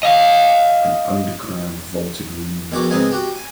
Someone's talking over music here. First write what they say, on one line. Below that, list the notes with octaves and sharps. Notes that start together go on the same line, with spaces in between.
An underground vaulted room.
D#5 F5
A#1 E2 F#4 G5 C#6 D6
C#2 G#2 B3 C4 D#4 G#5
F#4 G4 G5
G#5